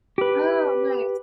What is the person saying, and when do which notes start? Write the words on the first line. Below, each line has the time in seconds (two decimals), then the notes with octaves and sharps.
Oh, nice.
0.18 G4 B4